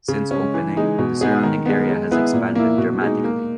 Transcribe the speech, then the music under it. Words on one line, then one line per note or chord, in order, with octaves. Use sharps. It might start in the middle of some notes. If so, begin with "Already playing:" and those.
Since opening, the surrounding area has expanded dramatically.
C#3
G#3 C#4
E3
G#3 D#4
B2
G#3 B3 D#4 G#4
D#3
G#3 B3
G#3
B3 E4 G#4 B4
A#2
A#3 E4
B2
G#3 D#4
A#3